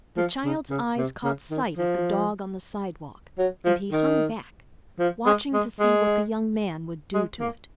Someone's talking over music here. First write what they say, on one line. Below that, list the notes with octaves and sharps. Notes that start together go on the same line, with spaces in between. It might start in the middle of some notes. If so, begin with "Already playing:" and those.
The child's eyes caught sight of the dog on the sidewalk, and he hung back, watching to see what the young man would do to it.
F3
C#3
C#3
C3
C#3
D#3
F3
F#3
F3
D#3
F3
G#3
G#3
G#3
G#3
A#3